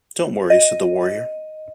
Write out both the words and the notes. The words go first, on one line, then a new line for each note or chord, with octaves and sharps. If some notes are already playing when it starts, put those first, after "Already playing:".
"Don't worry" said the warrior.
D#5